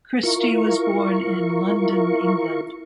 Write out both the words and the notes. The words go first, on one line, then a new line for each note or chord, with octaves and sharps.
Christy was born in London, England.
E4 F4 A#4 C#6